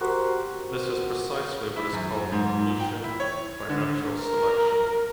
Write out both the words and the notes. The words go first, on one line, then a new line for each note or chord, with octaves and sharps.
This is precisely what is called evolution by natural selection.
F#4 G4 A#4 C5
E4
F#2
G#2
G5
E4
C#5
D3
A#4